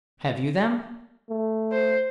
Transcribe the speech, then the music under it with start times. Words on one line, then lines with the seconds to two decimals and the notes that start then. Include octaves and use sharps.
"Have you them?"
1.30 A3
1.72 C5